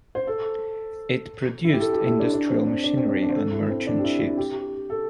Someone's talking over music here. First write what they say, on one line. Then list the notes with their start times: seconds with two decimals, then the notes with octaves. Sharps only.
It produced industrial machinery and merchant ships.
0.15 C5
0.27 A4
1.65 E4
1.73 G4
1.80 A4
1.93 G4
2.06 E4
2.20 D4
2.33 D4
2.50 C4
2.67 D4
2.84 D4
2.97 C4
3.09 D4
3.22 D4
3.29 C5
3.35 A4
3.52 E4
3.70 C4
3.87 D4
3.99 G4
4.04 E4
4.21 E4
4.38 G4
4.90 A4